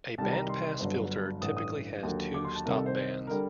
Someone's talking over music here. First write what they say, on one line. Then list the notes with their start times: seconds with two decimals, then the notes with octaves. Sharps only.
A bandpass filter typically has two stopbands.
0.18 C2 C3 D#3 G3 A5
0.33 A#5
0.49 C6
0.80 G1 G2 D3 F#3
1.41 A1 G2 D3 D#6
1.57 D#6
2.03 D#2 D3 F#3
2.34 D6
2.45 C6
2.55 A5
2.65 C2 C3 D#3 A#4
2.76 A4
2.86 C5
3.27 D3 G3 A#4